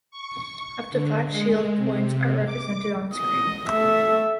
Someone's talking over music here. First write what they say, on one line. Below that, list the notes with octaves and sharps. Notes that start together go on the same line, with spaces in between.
Up to five shield points are represented on screen.
C#6
D3
G#3
C3
D6
D#5
A3 E5